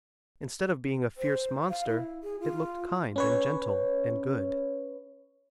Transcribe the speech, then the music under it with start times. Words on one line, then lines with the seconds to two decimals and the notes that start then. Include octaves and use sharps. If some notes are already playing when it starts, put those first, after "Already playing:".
Instead of being a fierce monster it looked kind and gentle and good.
1.17 C5
1.70 F5
1.88 E4
2.23 G#4
2.40 F4
3.16 C#4 B4 C#5